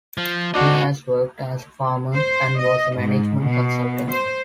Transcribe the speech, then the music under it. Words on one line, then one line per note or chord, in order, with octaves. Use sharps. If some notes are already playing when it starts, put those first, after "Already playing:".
He has worked as a farmer, and was a management consultant.
F3
C4 D4 D#4 F#4
C5
D#5
G#2
B2
C5